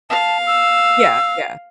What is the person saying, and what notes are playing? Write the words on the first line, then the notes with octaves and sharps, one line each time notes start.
Yeah, yeah.
F5 A5
E6